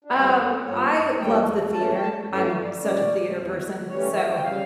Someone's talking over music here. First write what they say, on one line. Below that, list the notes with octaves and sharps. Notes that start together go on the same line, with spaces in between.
Uh, w I love the theater, I'm such a theater person, so
D4
F2 E3 G3 E4
G4
A4
G2 F3 A#3 C#5
E5
F2 E3 G3 A#3 C#4 G5
E2 E3 A3 C#4 A5
G5
A5
G2 E3 A3 C#4
E5
F5
D5
A#2 G3 C#4 D5
E2 E3 G3
A2 E3 G3 C#4 C#5
E5
G5
C#3 G3 F5